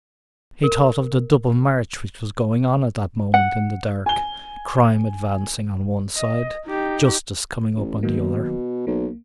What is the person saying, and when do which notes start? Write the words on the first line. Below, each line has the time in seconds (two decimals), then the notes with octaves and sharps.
He thought of the double march which was going on at that moment in the dark,--crime advancing on one side, justice coming up on the other.
0.64 A#4
3.34 F#5
4.06 G#5 G7
6.16 D#5
6.66 D#4 G4
7.77 A1
8.03 B2 D#3 F#3 A#3
8.87 B1 A#3